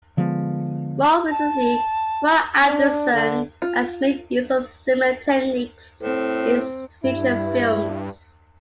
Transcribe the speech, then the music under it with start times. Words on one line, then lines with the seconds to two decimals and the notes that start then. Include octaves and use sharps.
More recently, Roy Andersson has made use of similar techniques in his feature films.
0.17 D3 F3 G#3 B3
1.29 A5
2.67 D4
3.13 D3
3.62 F4
6.03 A2 C4
7.04 G2 E4